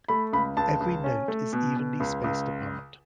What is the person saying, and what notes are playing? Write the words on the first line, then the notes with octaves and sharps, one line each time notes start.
Every note is evenly spaced apart.
A3 B5
C#2 B5
C#2 A5
C#2
C#4
A3
B2
B2
C#2
C#2